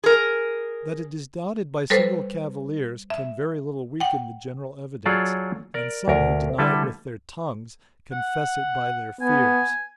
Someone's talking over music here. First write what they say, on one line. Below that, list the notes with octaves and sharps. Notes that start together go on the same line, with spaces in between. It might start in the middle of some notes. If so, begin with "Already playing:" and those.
That it is doubted by single cavillers, can very little weaken the general evidence; and some who deny it with their tongues, confess it by their fears.'
G#4 A#4
G3 A4 B4 C5
E5
F#5 G5
F#3 F4 G#4 A4 C#5 D5
A#4 D5
D2 A#4
D3 G3 E4 A4 B4
F#5
B3 G#5